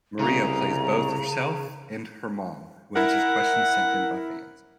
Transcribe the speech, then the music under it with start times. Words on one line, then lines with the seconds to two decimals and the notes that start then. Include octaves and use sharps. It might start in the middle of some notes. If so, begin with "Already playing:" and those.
Maria plays both herself and her mom, who answers questions sent in by fans.
0.19 C2 C#3 A#5
2.96 E4 A#4 F#5